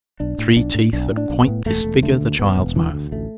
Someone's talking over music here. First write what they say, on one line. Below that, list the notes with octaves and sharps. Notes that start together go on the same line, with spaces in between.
Three teeth that quite disfigure the child's mouth.
B1 D4
A2
B1 D4
A2
B1 D4
A2
D4
B1
B3
A2
E1 A3
E1
D3 A3
D2
E1 B3
E1
D3 E3
D2
A1 A3